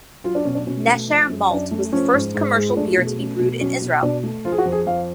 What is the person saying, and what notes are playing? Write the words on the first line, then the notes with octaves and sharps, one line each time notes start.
Nesher Malt was the first commercial beer to be brewed in Israel.
F#3 F4
D4
B2 C#4
D4
B2 C#4
A3
F3
F#2
F#2 D4
A3
F3 C#4
G#2
G#2
G#3
F4
A3 D4
F4
B2
G#4
A3 C#4
B2
F#3 C#4
B2
B2 D4
A3
F3 F4
G#4
F#4
F2
G#4
F2 F5